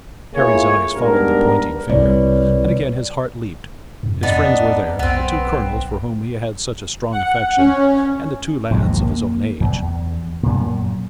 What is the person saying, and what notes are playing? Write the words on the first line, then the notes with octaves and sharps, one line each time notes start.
Harry's eyes followed the pointing finger, and again his heart leaped. His friends were there, the two colonels for whom he had such a strong affection, and the two lads of his own age.
A3 A#3 E4 F4 G#4 C#5
G#2 G3 B3 D4 A#4
C2 B4 C#5 D5
F2
F2 B3 D4 D#4
B1 B3 C4
F#5
C#4
A#1 D#2 G#2 B2
A#3
E2
F#2 A#2